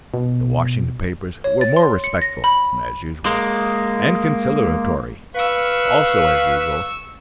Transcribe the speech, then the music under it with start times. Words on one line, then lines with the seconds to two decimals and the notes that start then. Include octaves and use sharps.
The Washington papers were more respectful, as usual--and conciliatory, also, as usual.
0.14 B2
1.44 C#5
1.61 A6
1.76 C6
2.04 C#7
2.22 A#6
2.44 B5
3.26 G#3 A#3
5.36 B4 F5 C#6 E6